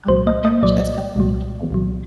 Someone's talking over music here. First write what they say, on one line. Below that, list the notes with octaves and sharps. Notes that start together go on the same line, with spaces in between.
Oh my gosh, that's so interesting.
C2 A#2 F#3 C5
D#5
D#5
C2 A#2 F#3 D5
C2 A#2 F#3
C2 A#2 F#3